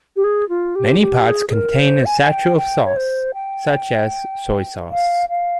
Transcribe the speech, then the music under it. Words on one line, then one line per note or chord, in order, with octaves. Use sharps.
Many pots contain a sachet of sauce, such as soy sauce.
G4
G#4
F4
G4
G4
G#4
G#4
A#4
C5
G#5
G#5
G5
G5
C#5
C5
G5
F5
F5